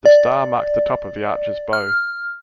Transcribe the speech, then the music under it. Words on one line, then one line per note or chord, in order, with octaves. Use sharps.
The star marks the top of the Archer's bow.
D5
F6